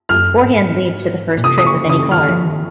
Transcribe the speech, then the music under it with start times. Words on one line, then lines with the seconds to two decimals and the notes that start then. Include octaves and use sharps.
Forehand leads to the first trick with any card.
0.09 F#2 F6
0.44 G#2
1.37 A#2
1.44 C3 D#6
1.58 D#6
1.66 C#3 C#6
1.89 C#3 D#6
2.11 D#3 F6
2.28 F3
2.46 D#3